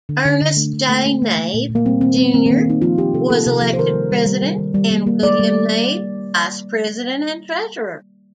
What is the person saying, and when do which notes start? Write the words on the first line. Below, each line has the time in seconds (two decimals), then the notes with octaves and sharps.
Ernest J. Knabe, junior was elected president and William Knabe, vice president and treasurer.
0.09 D3
0.26 D3
0.41 D3
0.57 A3
0.73 D3
0.89 A3 A#3
1.06 A3
1.22 A3
1.38 A3
1.54 A#2
1.70 A#2
1.75 A#3
1.86 G3 C4
2.01 D#3 C4
2.17 A#3 C4
2.34 D#3 C4
2.46 A#3
2.50 D#3
2.57 C4
2.66 D#3 D#4
2.82 F3 F4
2.98 A#3 G4
3.13 C3 A4
3.30 A#3 A4
3.46 C3
3.62 F3
3.73 C5
3.79 D#3 A#4
3.94 G3
4.11 G3
4.26 G3
4.42 G3
4.58 D#3
4.74 G3
4.91 A#3
5.07 A#3
5.22 A#3 D5
5.39 G3